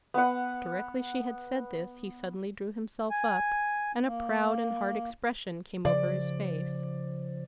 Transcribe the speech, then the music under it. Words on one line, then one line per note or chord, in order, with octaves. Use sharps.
But directly she had said this he suddenly drew himself up, and a proud and hard expression came over his face.
B3 F#5
G#5
A#3
C#3 F3 D5